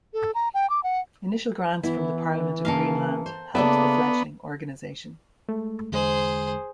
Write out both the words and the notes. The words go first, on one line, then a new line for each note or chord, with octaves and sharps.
Initial grants from the Parliament of Greenland helped the fledgling organization.
A4
A#5
G5
D6
F#5
E3 B3 E4
C#3 A#3 A4 A#4 F5
C5
C#3 A#3 B3 D4 A4 D5 E5
G#3 A3
E2 D3 G#3 G#4 C5